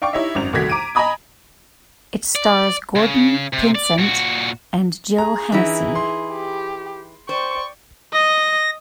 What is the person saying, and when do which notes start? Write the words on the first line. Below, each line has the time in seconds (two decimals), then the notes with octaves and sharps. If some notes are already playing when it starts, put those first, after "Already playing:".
It stars Gordon Pinsent and Jill Hennessy.
0.02 D5 F5 G5 C#6 D6
0.13 D#4 E4 G4 C#5 D#5 E5
0.35 G#1 F#2 F7
0.53 C2 D#3 A3 F#4 G#6 B6
0.69 A#5 D6 D7 D#7
0.95 D#5 G#5 A#5 B5 D#6 G#6
2.35 D5
2.96 C#3
3.53 C3
3.75 D5
3.98 A#2 F#4
5.18 G#4 A#5
5.52 E3 D#4 E4
5.95 C6
6.32 G4
7.29 C5 D5 G5 C#6
8.13 D#5 A#6